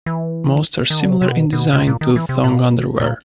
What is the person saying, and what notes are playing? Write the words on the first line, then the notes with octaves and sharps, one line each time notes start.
Most are similar in design to thong underwear.
E3
D#3
D3
C3
C3
B2
B2
C3
A#2
D#3
E3
C3
A#2
B2
A#2